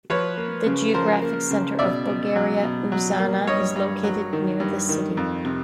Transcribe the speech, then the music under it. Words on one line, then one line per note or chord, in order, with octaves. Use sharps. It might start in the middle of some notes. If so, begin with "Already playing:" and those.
The geographic center of Bulgaria - Uzana is located near the city.
F3 B4 C#5
A#3
C#3
F3 A#4 C5
A#3
C#3
B2 D5 E5
B2
F#3
B2
F#3
A#3
G2 C#5 D#5
G2
F#3
D#3
G2
D#3
F2
C3